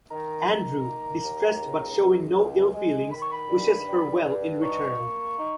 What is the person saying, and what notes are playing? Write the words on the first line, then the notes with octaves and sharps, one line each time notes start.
Andrew, distressed but showing no ill-feelings, wishes her well in return.
D#3 A#5
D#3
A#3
D#2
C#2
C#2
C#2
G#3
D#3 B5
C#6
B5
G2
G3
G2
D#4 C#6
A#3
D#4